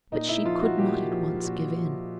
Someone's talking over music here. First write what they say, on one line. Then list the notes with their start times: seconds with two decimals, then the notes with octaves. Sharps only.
But she could not at once give in.
0.12 A#2 D#4
0.28 E4
0.45 F3 F4
0.61 F#4
0.78 A#2 G4
1.11 F3
1.44 A#2 F#4
1.78 F3